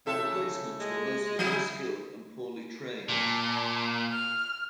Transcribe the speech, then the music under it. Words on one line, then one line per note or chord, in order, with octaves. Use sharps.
Replacements were mostly unskilled and poorly trained.
A2 C3 A4 E5
C#3
G#3
F#3 E4 G#4
A#2 A5
F6